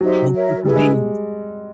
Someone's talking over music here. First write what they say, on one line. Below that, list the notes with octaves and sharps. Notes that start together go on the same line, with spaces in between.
the worker bees.
F#3 D#4 G4 C5 E5
A#4 C#5 E5
G3 E4 G#4 B4
G#3